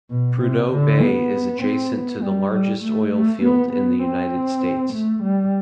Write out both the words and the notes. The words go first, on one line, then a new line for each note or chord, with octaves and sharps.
Prudhoe Bay is adjacent to the largest oil field in the United States.
B2
C3
D3
B3
C4
B3
G3
G3
A3
A3
B3
B3
C4
A3
G3